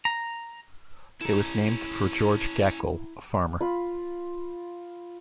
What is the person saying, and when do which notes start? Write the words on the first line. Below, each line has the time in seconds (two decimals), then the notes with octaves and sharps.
It was named for George Gackle, a farmer.
0.05 A#5
1.21 C#4 E4 A4 A#5
3.61 F4 B5